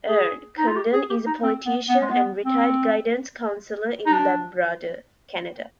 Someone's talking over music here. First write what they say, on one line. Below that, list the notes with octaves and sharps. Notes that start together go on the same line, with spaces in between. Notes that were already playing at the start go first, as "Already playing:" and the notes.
"Ern" Condon is a politician and retired guidance counsellor in Labrador, Canada.
G#4
D#4
F4
G4
G#4
G4
D#4
C4
B3
B3
G#3
B3
C4
D#4
D4